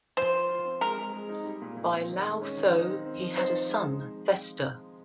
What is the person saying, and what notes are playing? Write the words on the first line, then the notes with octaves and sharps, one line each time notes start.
By Laothoe he had a son Thestor.
F3 C5
F4
F4
C4
G#3 A#4
G#3
G#3
D#4
G3
A#2
A#2
C4
D#3
G#3
C#4
D#3
D#4
C4
C4
F3
D#4 C5
F3
G#3
D#4